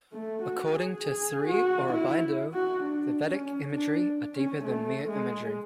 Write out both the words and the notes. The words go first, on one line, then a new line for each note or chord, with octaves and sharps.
According to Sri Aurobindo, the vedic imagery are deeper than mere imagery.
A3
F#4
G#4
G#4
F#4
E4
F#4
D4
C#4
D4
C#4
A3
G#3